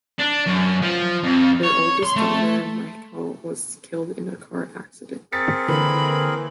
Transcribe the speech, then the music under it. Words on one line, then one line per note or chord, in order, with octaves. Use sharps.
Their oldest daughter, Michal, was killed in a car accident.
D4
F#2
F3
F2
C#5
C6
A3
C4 G#4 A#4 A6 B6 C#7
D3 E3 A#3 B5